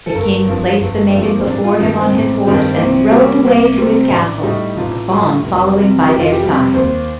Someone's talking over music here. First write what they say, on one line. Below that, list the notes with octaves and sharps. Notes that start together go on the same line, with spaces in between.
The king placed the maiden before him on his horse and rode away to his castle, the fawn following by their side.
A4
G1 A#4
G2 F3
G1
G2 F3 A3
A#3
C4
A1 D4
F4
G2 D#3 G3 D#4
C4
A1
G2 D#3 G3
A#3
C2 C4
C3 G3 A#3
C2 A#3
C3 G3 C4
C4
A1 D4
A2 G3 D#4
A1 F4
A2 G3
F1
F2 C3 G3
F1 G4
F4
G4
F2 C3 G3
D#2 C5